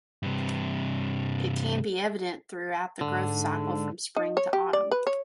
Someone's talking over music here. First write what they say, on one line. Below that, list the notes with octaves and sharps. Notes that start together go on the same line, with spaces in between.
It can be evident throughout the growth cycle from spring to autumn.
G2 C3
G#2 D3
D#4
C#5
G4
D5
B4
C#5